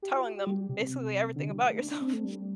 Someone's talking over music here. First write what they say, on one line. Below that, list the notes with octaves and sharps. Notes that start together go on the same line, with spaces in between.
telling them basically everything about yourself.
G4
F4
G4
G4
G3
C3
D3
G3
A3
D4
D4
C4
A3
G3